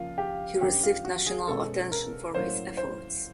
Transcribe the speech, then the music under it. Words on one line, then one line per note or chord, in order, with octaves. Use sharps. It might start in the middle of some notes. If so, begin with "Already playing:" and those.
He received national attention for his efforts.
Already playing: C#3 F3 A#3 F4
G4
F#2 D3 F#3 A#3 G4
F4
F#4
G#4
B2 G#3 C#4 A4
A#4
A2 F#3 A#3 C#4 C5
C5